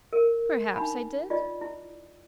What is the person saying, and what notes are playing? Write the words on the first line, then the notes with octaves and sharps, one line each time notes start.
"Perhaps I did."
A#4
D4 D#4 B5
F4 D5 D#5
E4